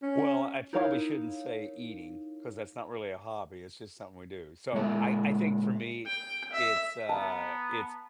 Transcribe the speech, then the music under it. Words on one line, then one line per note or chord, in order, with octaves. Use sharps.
Well, I probably shouldn't say eating, 'cause that's not really a hobby, it's just something we do, so, I I think for me, it's, uh it's
C#4
D#4 E4 A#4 C#5 F5
A#2 G#3 E5
G5
E5
B3 A5 A#5